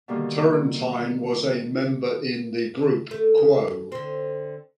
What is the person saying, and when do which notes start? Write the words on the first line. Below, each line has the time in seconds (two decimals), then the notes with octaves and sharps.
Turrentine was a member in the group Quo.
0.08 B2 D3 D#3 G3 A#3
3.11 A3
3.37 E2
3.92 D3 C4